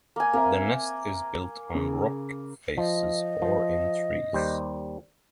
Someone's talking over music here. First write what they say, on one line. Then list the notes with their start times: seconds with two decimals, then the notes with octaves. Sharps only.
The nest is built on rock faces or in trees.
0.16 A#3 G#5
0.33 A#3 C4 A#4 E5
1.75 C#3
2.77 F3 D#5
3.42 F3
4.33 D#2 G3 C5